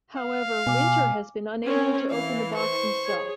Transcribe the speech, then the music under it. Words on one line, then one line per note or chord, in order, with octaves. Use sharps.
However, Winter has been unable to open the box himself.
F5
B2 G#5 D6
C4 C#4 A#4
E3 F5
C5 C#6
G#4 C#5